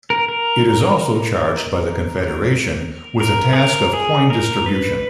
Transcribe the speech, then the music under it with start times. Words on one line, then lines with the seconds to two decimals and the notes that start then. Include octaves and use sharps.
It is also charged by the Confederation with the task of coin distribution.
0.10 A#4
0.28 A#4
3.20 A#4
3.53 G#4
3.56 A#4
3.93 G#4
4.30 A#4
4.66 B4